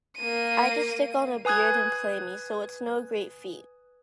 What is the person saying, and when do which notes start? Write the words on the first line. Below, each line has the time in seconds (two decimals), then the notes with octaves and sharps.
I just stick on a beard and play me, so it's no great feat.
0.17 A#3 D#7
1.45 B4 G#5 D#6 F#6 G#6